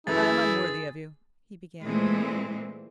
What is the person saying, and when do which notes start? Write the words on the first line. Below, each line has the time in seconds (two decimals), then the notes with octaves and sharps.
"I am unworthy of you," he began.
0.07 F#2 E3 E4 G#4 A4 A6
1.84 A#2 E3 G#3 A3 C4